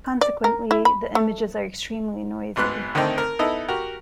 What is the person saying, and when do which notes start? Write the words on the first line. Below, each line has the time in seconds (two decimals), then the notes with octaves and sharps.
Consequently, the images are extremely noisy.
0.21 D5
0.44 A#4
0.71 E4
0.85 B5
1.15 A3
2.56 G#1 G#2 B3 F#6
2.95 D3 D#3 A3 C4 D#4 G5
3.18 A#4
3.39 B3 D#4 E4 A4 D#5
3.68 F#4 G4 A#4